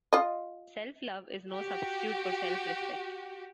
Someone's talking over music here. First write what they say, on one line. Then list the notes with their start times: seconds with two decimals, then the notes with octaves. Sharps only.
Self-love is no substitute for self-respect.
0.13 F4 D#5
1.51 F#4 G4